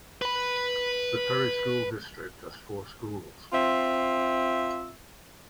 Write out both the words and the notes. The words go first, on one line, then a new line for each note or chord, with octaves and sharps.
The Perry school district has four schools.
B4 B5
C4 F4 E5